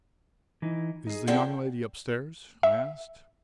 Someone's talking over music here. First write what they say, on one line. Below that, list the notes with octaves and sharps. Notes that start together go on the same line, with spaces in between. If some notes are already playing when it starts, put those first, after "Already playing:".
"Is the young lady upstairs?" I asked.
E3 D#4
D#4 G#4
D3 F3 C4 G#4 D5 G5
E5